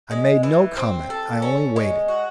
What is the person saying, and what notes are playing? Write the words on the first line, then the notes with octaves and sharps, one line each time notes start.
I made no comment; I only waited.
G#3
E3
C4
A4
C#4
G#3
F#4